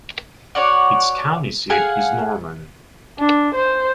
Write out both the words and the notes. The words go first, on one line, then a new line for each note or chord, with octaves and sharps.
Its county seat is Norman.
F#4 C#5 D5 F#5
G#4 F5 F#5 G#5
D4
C5